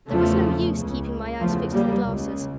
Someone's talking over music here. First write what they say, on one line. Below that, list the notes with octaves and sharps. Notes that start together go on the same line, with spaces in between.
There was no use keeping my eyes fixed to the glasses.
E2 C#3 F3 A3
C#2 C#3
E2 C#3 F3 A3
G3 A#3
C#2 C#3